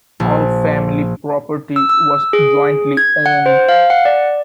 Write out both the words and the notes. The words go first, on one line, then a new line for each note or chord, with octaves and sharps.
All family property was jointly owned.
A#1
E6
E6
G#4
G#6
F#5
C5
F5
F#5
D5